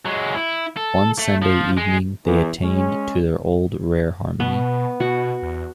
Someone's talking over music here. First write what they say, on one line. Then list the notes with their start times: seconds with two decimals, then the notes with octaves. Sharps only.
One Sunday evening they attained to their old rare harmony.
0.05 F#3 G#3
0.35 E4
0.77 A4
1.19 A3
1.42 F3
1.77 G#3
2.25 E2
2.63 G#3 C#4
4.40 B2 B3
5.00 B2 F#4
5.43 E2